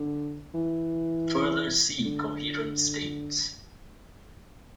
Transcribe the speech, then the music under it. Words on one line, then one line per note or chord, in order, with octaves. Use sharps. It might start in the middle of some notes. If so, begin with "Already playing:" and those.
Further see coherent states.
Already playing: D3
E3
D3